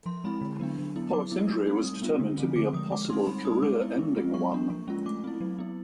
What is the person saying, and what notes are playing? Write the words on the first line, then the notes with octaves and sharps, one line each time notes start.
Pollack's injury was determined to be a possible career-ending one.
F3 C6
G#3 C4 E4 B5
D3
F#3 B3 D4
F#3
B3 E4
F#3 D6
B3 E4
A3
C4 D#4
G3 D#6
B3 D4 F4
D3
F3 A3 C4
D3 D6
F3 G#3 D#6
G#3 D6
C4 D#4 C6
G3 B5
C4 D#4 D#6
G#3 D6
B3 E4
G#3
C4 F4
F#3 C#6
A#3 D4
F3
G#3 C#4 F4
A3 D6
C4 E4
F#3
B3 E4